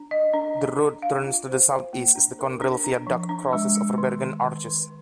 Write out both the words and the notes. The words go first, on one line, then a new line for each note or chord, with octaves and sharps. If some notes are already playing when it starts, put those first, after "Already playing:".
The road turns to the southeast as the Conrail Viaduct crosses over Bergen Arches.
Already playing: D4
D#5
D4
D4
D4
F5
F4
C5
C5
A#3
D4
A#4
D4
D4
F3
D4
G#3
G#3
D#3
D#3
D#3
D#3